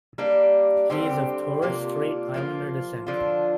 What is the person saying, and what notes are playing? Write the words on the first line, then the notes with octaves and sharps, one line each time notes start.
He is of Torres Strait Islander descent.
G3 A#3 D4
D3 G3 C4 G4
C3 A#3 D4 F4
F3 A#3 F4
D3 F3 D4 F4